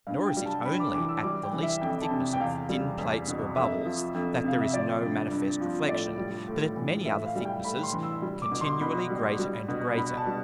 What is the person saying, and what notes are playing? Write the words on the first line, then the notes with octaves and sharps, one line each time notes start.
Nor is it only at the least thickness of thin Plates or Bubbles, that there is no manifest Reflexion, but at many other thicknesses continually greater and greater.
G2 F5
G5
G3
A5
G2 B5
D6
E3 D6
E6
G3 D6
G5
E3
E5
F2 G5
A5
C3
G5
E2 F5
G3
E2
B2
F2 E5
F3
F2
C3 F5
E5
F3 D5
G2
G2
F3
A2 D5
G3
A2
E3
A2 E5
F5
G3
G5
A2 B5
C6
E3
E6
G3
D6
B2
C6
B2 B5
G3
G3
B2
B2 B5
A5
G3